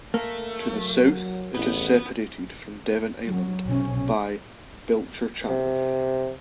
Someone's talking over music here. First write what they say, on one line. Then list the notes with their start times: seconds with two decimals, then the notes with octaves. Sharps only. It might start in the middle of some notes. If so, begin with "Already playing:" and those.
To the south, it is separated from Devon Island by Belcher Channel.
0.14 A3 A#3
0.69 F#3
1.54 A1 E2 A2 B3
3.24 F#3
3.64 B1 C3 C#4
5.49 C3